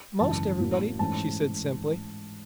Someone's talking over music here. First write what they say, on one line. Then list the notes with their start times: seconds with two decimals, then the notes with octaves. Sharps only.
"Most everybody," she said simply.
0.20 G#1 F#2 C#3 E3 A5
0.60 A2 F#3 A#3 C#4 E4
0.99 G#2 E3 A3 C#4 E4 A5